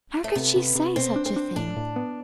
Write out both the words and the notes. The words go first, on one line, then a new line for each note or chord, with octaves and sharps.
How could she say such a thing!
A3
C3 B3
C3
C3
B2 C4
D4
C4
D4
A2 D4
A2
B3